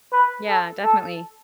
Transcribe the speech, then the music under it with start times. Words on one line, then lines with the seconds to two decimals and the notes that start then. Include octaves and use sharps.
Yeah, definitely,
0.12 B4
0.48 A4
0.84 A4